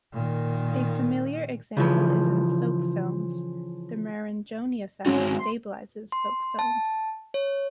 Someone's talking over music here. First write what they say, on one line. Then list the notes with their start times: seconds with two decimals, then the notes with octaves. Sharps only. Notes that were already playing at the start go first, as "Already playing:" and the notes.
A familiar example is in soap films: the Marangoni effect "stabilizes" soap films.
0.13 A#2 D#3
1.77 C#3 E3 F3
5.06 G#3 C4 C#4 F#4
5.39 C6
6.12 C6
6.59 A5
7.34 C#5